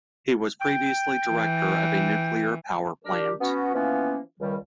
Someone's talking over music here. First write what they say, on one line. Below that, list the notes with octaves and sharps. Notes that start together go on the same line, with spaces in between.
He was previously director of a nuclear-power plant.
G5
E3
D4 G4 A#4
B3 C#4 F#4
E3 F3 A#3 B3 C#4
C#2 D#3 G3